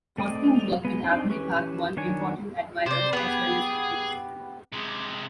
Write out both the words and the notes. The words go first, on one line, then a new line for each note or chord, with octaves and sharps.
Hosking's work at Abney Park won important admirers, as well as critics.
A3 C4 D5 D#5
G#3 B3
C4 D4 D#4
E3 C#4 G4 B4 C#6
D#3 D4 C#5 G#5
C3 C5 D5
B3 G4 G#4
C3 G#3